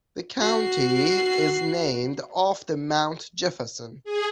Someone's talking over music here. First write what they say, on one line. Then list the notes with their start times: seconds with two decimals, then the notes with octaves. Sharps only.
The county is named after Mount Jefferson.
0.41 F#4 C7
4.04 G#4